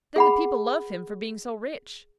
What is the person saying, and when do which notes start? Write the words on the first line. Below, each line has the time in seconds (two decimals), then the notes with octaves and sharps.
Then the people love him for being so rich.
0.16 G#4 F#5 B5